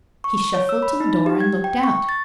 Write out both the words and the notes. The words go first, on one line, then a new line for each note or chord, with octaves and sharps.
He shuffled to the door and looked out.
C#6
C#5
E6
B5
D#4
G4
G#6
G5
C#6
A6